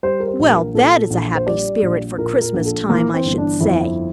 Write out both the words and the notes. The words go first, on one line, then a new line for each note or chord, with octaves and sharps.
Well, that is a happy spirit for Christmas time, I should say!
G3 C5
A#4
C5
A#1
A#4
A#2 A4
A#1
C5
G3 D5
A#1
A#2 A#4
A#4
A#1
A4
E3 A#3
C4
G1
D4
F2 E4